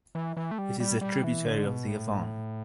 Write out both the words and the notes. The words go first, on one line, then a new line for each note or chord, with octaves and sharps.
It is a tributary of the Avon.
E3
E3
A3
G3
G3
G3
E3
D3
B2
A2